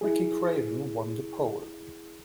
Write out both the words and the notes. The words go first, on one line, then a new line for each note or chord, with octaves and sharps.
Ricky Craven won the pole.
E4 G#4